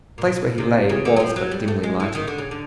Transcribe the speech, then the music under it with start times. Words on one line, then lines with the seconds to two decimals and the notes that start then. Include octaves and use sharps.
The place where he lay was but dimly lighted.
0.18 A#2
0.25 B2
0.58 C3
0.89 C#3
1.05 D3
1.16 F#3
1.20 F3
1.36 F#3
1.51 G3
1.68 A3
1.83 G#3
2.00 E3
2.15 D#3
2.27 D3
2.38 C#3
2.51 D3